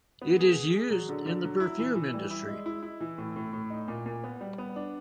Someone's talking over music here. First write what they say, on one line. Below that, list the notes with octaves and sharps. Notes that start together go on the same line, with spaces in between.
It is used in the perfume industry.
B3
G#4
G#4
G#4
F#3
D3
D3
F#3
E4
E3
E3
G3
E4
G#3
E4
E4
E3
A2
A2
A2
D#4
A#2
A#2
B3
G3
B3
D4